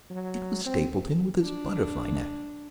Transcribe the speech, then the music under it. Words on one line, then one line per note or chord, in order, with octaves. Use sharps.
It was Stapleton with his butterfly-net.
F#3
C4
D4